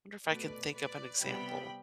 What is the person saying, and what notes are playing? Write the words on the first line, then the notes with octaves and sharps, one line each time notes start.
Wonder if I can think of an example.
B2 A3 B4 D5
B4 D5
C3 G3 B3 G5 B5